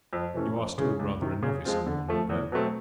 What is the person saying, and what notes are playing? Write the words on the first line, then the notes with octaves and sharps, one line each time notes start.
You are still rather a novice in your new berth.
F2
C3 E3 A3 C#4
F2
C#3 E3 G#3 C#4
C#2
C3 D#3
C#3
F3 G#3 C4 F4
D3
F3 A3
E2
B2 F#3 A3 C4